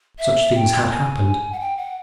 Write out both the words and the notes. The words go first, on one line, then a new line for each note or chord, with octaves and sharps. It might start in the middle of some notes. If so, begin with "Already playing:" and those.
Such things had happened.
E5
G5
G5
G#5
F#5
G5
F#5